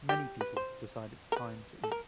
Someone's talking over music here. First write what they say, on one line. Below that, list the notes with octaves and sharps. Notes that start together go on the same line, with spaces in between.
Many people decide it 's time to eat.
G4
B4
C5
A#4
B4
A4
A#4